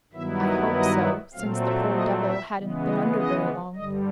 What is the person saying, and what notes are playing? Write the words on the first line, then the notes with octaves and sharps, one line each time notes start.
I hoped so, since the poor devil hadn't been under very long.
G2 D#3 F#3 B3 E4 E5
D#5
D#5
A#2 F#3 A3 C4 F5
E5
D#5
E5
C#3 E3 G#3 B3
D#5
D#5
G2 D3 G3 D#5